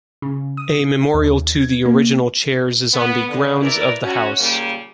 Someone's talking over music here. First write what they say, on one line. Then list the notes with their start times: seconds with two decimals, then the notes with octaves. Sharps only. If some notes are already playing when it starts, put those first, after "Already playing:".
A memorial to the original chairs is on the grounds of the house.
0.22 C#3
0.57 D#6
1.14 D#2
1.55 G#6
1.86 A#3
2.94 B3
3.29 D3
3.60 E4 A#4 B4 D5
4.02 C#4 F#4
4.38 A#2 C#3 G3 A#3